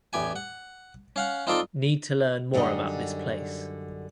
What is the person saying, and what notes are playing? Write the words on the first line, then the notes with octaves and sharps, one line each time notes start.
Need to learn more about this place.
A1 E2 G4 G#5
F#5
C#4 F5 F#5
C4 D#4 F4 A4 D5 C6
F#2 D3 G3 D#4 D#5